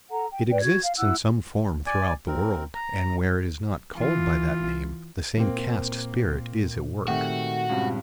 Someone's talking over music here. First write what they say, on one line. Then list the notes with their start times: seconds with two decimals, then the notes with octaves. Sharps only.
It exists in some form throughout the world, and where it is not called by that name, the same caste spirit is at work.
0.10 A4 F#5 A#5
0.31 G5
0.50 B4 D5 G5
0.62 F#4 G#6
0.82 F5
0.98 E4 F#5 E6 F#6
1.86 D5 G#5
2.28 C4 A#4
2.74 A#5
3.94 E3 F4
5.37 A#2 A#3 C4
7.08 C3 D#3 A3 F#4
7.70 C#2 G2 C3